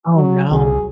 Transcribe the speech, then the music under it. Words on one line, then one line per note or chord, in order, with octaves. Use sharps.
Oh, no.
F#3
C2 G#4